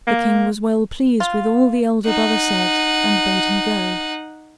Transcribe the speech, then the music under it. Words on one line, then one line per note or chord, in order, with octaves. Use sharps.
The king was well pleased with all the elder brother said, and bade him go.
A#3
F4
D#4 F#5